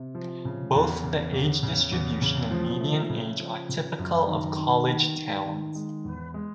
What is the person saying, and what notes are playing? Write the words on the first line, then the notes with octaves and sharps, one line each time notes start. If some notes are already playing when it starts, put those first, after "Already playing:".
Both the age distribution and median age are typical of college towns.
Already playing: C3
F3
C#3
E2
C#3
E2
C#3
E2
C#3
F3
A3
C#3
F3
C#3
F#2
D#3
D#3
D#3
D#3
D#3
G#3
E2
G#3